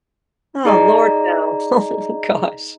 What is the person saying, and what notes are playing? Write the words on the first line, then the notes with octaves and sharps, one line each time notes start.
Oh lord no. Oh, gosh.
D#4 G#4 D5 D#5 A#5